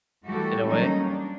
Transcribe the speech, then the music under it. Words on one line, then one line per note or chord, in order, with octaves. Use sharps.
in a way.
E3 G3 A3 F#4 G4 A4
F#3 G3 A#3 C#4 D#4
D4